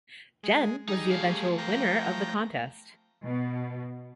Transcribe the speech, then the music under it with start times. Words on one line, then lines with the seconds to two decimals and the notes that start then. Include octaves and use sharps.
Jen was the eventual winner of thecontest.
0.43 G#3
0.89 G3 D#4 G#4
1.11 A3 F5
1.58 F3 G5 A#5
3.24 B2